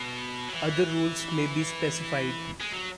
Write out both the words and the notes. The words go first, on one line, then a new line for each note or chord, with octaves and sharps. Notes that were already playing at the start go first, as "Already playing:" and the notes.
Other rules may be specified.
Already playing: B2
F#3
E3
G#3
F#3